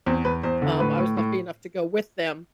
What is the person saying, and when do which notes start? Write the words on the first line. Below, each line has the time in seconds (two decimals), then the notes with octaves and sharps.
um, I was lucky enough to go with them,
0.06 E2 C4
0.25 E2 B4
0.43 E2 C5
0.62 D3
0.80 A2 B4
0.99 A2
1.17 A2